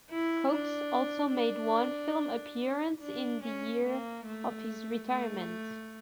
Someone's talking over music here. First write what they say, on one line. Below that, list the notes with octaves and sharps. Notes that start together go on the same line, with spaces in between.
Cokes also made one film appearance in the year of his retirement.
E4
D4
D4
D4
C#4
A#3
A3
A3